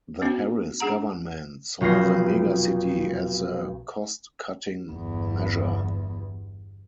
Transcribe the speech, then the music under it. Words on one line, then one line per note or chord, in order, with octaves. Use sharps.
The Harris government saw the megacity as a cost-cutting measure.
B3 C#4 D4 F#4
D4 G#4 F#5 A#5
F1 B1 F4 A#6 C7
G1 E2